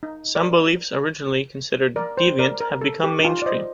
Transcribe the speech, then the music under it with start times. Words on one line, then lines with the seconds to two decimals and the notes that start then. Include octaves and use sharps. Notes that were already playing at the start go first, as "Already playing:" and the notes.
Some beliefs originally considered deviant have become mainstream.
0.03 D#4
0.35 A#4 D5
1.96 A#4 D5
2.17 C5
2.39 A#4 D5
2.61 A#4
2.81 A4
3.03 G4
3.20 D#4
3.25 F4
3.42 D5
3.46 C5 D#5